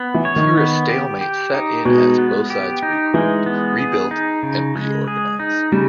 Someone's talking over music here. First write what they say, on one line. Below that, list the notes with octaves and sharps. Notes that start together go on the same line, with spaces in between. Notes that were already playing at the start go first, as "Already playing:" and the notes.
Here a stalemate set in as both sides regrouped, rebuilt and reorganised.
Already playing: B3
E3
C#5
D#3
B3
G4
G4
D#4
B2 G#3
B3
G4
D#4
E3 G#3
B3
G#4
D#4
C#3
G#3
G#4
D#4
C#3 G3